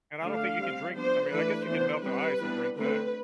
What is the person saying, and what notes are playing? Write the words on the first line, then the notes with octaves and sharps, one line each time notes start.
And I don't think you can drink I mean, I guess you can melt the ice and drink that.
D3 A3 D4 F5
G3 C4
F3 B3 D4 C5
E3 A3 D4 B4
E3 B3 D4 C5
G3 C4 B4
E3 G3 B3 D4
D3 A3 C4 B4